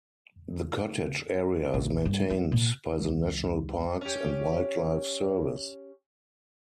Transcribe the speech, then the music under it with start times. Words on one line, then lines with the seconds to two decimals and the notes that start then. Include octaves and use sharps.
The cottage area is maintained by the National Parks and Wildlife Service.
1.74 A#1
2.05 G2
2.30 F4
2.52 A#2
3.00 C#2 E3 G#3
4.01 C#4 G4